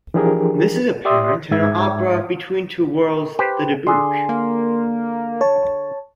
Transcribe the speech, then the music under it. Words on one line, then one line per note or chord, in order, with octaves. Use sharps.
This is apparent in her opera Between Two Worlds-The Dybbuk.
E3 F3 D4 G4 G#4 A#4
G4 D5 E5 C6 D#6
G#2 E5 G#6
G4 B4 C5
D3 G#4 C6
A#3
C#5 A5